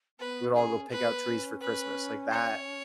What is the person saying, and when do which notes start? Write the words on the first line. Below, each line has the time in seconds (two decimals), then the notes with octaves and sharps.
we would all go pick out trees for Christmas, like, that
0.19 B3 B4
0.54 C#4 D#4 G#4
0.90 B3 B4
1.25 C#4
1.61 B4
2.31 C#5